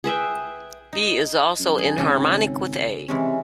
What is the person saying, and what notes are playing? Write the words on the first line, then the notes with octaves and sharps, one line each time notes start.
B is also enharmonic with A.
G#4 B4 E5 G5
D#4
F#2
G#4
G#1 C#3 A4 G5
C3 E3 G#3 C#4